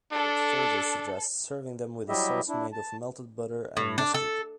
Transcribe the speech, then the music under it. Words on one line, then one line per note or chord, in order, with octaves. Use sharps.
It further suggests serving them with a sauce made of melted butter and mustard.
D4 A4
F#3 G3 E4 G4 D#5 E5
D4 E4
A5
A2
D4
A4